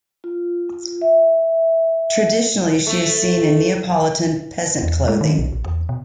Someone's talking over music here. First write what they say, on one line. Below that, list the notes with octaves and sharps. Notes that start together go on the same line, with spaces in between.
Traditionally, she is seen in Neapolitan peasant clothing.
F4
E5
A3
E2
G#3
D#3
B1
A#1
E2
B2